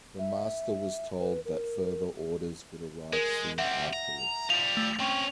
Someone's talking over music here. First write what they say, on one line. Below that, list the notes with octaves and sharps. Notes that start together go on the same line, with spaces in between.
The master was told that further orders would arrive soon afterwards.
E5
B4
A#4
G#3 A#4
G3 C4 E5 F#5
A#5
F3 G3 F7
A3
C4 C#4 G5